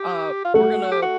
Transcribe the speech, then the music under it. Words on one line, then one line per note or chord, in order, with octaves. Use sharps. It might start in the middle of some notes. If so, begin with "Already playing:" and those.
Uh, we're gonna,
Already playing: G4
F4
A3 F#4
G4
F#4